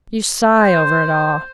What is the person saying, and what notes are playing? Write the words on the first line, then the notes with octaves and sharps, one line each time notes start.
'You sigh over it all.
C5